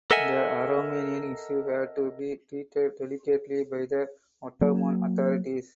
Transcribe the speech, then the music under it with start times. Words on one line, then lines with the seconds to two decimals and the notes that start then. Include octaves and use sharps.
The Aromanian issue had to be treated delicately by the Ottoman authorities.
0.11 A4 A#4 D#5 E5 F#5 G#5
4.61 F#3 A#3